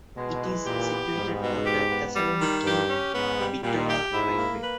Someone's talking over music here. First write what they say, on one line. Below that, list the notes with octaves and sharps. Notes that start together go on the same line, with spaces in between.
It is situated on the Thessaloniki–Bitola railway.
B2 G#3
E3
A#2 G4
B3
G#2 G3
B2
G4
B3
G3
D#3
G2 G4
C#4
G#2 B3
G3
A#2 G3
G4
G#2 E4
A#3
B4